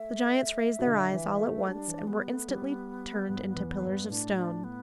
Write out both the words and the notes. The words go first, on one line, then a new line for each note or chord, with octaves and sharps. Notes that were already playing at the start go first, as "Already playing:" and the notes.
The giants raised their eyes all at once, and were instantly turned into pillars of stone.
Already playing: A3 E5
B2
D3
E3
A3
G3 D4
E3
G3 B3
A3
G3
G2
E2
G2
A2 D4
D4
B3